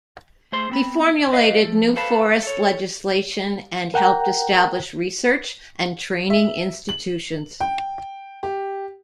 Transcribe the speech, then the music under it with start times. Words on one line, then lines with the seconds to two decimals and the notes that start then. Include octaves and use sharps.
He formulated new forest legislation and helped establish research and training institutions.
0.52 A3 G#4 C5 C6
0.70 B3 C4 B5
1.32 B4 C5 D#5 F5
1.62 F3 A3
1.96 A4 B4 C5 F5 A5 B5
2.43 A4 C#5
3.94 A#4 F#5 G5 A#5
6.30 E5
6.89 F#7
7.60 G5
8.43 G4